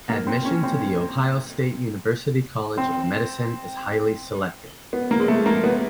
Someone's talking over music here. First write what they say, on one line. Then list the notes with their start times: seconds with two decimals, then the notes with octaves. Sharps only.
Admission to The Ohio State University College of Medicine is highly selective.
0.09 A#3
0.27 C4
0.45 C#4
0.63 C4
2.78 C4
4.93 B3
5.11 A#3
5.20 G#3
5.28 A3
5.46 A#3
5.64 B3